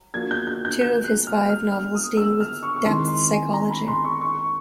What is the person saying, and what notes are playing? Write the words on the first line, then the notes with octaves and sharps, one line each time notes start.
Two of his five novels deal with depth psychology.
F3 A#3 D4 F#4 G#6
G6
G6
G6
G6
F#6
F6
F6
F6
D#6
E6
F6
C#6
C#6
D#3 G#3 C4 E4 C6
C6
G#5
A#5
B5
C6
C#6
C#6